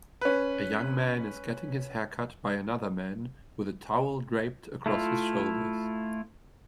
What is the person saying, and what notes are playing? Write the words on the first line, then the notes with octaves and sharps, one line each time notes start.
A young man is getting his haircut by another man with a towel draped across his shoulders.
C#4 B4
A3 E4 F4